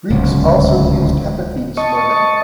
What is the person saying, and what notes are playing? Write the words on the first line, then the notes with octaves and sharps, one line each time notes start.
Greeks also used epithets for them.
D1 C#2
D#5 A5 C#6